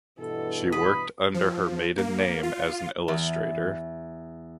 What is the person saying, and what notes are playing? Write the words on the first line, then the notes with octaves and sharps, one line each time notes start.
She worked under her maiden name as an illustrator.
G2 B2 E3 A4
B4 D#6 B6
F3
A#3
F4
E2